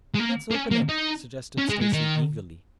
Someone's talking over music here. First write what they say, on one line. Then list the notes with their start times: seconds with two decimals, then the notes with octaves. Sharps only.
"Let's open it," suggested Stacy eagerly.
0.14 G#3
0.19 A#3
0.51 A#3
0.54 C#4
0.71 A#3
0.89 D#4
1.58 C#4
1.70 G#3
1.81 G#3
1.93 D#3